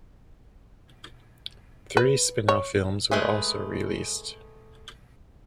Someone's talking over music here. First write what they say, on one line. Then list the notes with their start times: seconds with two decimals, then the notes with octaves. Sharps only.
Three spin-off films were also released.
1.97 B4
2.48 C#5
3.11 G#3 A3 G#4 B4